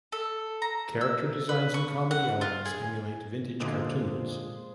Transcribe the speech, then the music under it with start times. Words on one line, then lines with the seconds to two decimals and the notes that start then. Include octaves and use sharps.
Character designs and comedy elements emulate vintage cartoons.
0.12 A4
0.62 A#5
1.01 E6
1.49 B4
1.74 C#6
2.11 F#5
2.41 F4
2.66 G#4
3.60 A#2 D3 F3 G#3 G#4